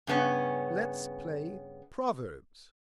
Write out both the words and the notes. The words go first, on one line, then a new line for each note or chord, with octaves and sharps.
"Let's play proverbs."
G2 C#3 B3 C#4